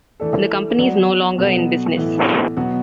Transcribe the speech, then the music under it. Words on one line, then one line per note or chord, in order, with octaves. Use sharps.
The company is no longer in business.
E3 A3 D4 A4
F#3 B3 D4 F#4
B2 F#3 B3 F#4 A4
A2 E3 B3 E4
B2 F#3 B3 F#4